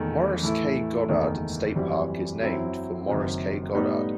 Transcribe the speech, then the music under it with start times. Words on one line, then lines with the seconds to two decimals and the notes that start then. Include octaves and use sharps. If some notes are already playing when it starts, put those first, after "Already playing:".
Maurice K. Goddard State park is named for Maurice K. Goddard.
Already playing: E2 D#3 A3
0.41 A2 E3 A3 E4
1.08 F#1 E2 D#3 A3
1.75 F#2 E3 G3 C4 F#4
2.41 F#2 F#3 C4 E4
3.08 F#1 F#2 D#3 F#3 C4
3.74 A2 G3 B3 D#4